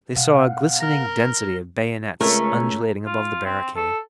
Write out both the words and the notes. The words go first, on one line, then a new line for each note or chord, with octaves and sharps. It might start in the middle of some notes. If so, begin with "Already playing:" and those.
They saw a glistening density of bayonets undulating above the barricade.
B2 F5 F#5
A#4 F6 A#6
C#2 A3 C#4 A#4
F4
C4
A4